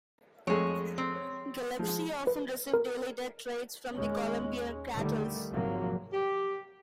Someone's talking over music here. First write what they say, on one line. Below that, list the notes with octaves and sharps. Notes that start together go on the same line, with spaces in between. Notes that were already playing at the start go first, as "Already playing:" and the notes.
Gillespie often received daily death threats from the Colombian cartels.
F2 G#3 A3 G#4 C#5
C4
C#5
F3 G#3
B4
A#4
D#2 G#3 C#4
D3 D#3 G3 A3
G#1 C3 F3 F#3 A#3
G4